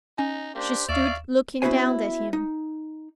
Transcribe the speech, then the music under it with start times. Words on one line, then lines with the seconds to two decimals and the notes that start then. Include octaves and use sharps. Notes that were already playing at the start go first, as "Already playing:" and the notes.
She stood looking down at him.
0.18 C#4 D#4 G#5
0.55 A#3 D4 G4 C5
0.89 D#2 D5 E5 F5 C#6 E7
1.62 B3 C#4 E4 F#4 C5 G#5
2.33 D#4